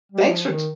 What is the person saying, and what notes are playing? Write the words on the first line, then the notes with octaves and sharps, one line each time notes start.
thanks for t
G3
F3
D#3